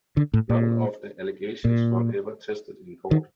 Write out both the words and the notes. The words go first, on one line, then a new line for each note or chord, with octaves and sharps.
None of the allegations were ever tested in court.
D3
A2
A#2
A#2
D#3